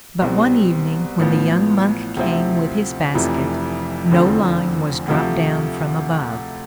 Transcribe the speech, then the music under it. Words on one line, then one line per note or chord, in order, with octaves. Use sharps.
But one evening when the young monk came with his basket, no line was dropped down from above.
C2 B2 G3 C4
A1 A2 F3 B3
D2 C3 F3 C4 E4
F1 F2 C3 E3
F1 E2 D3 F3 C4
D2 C3 F3 A3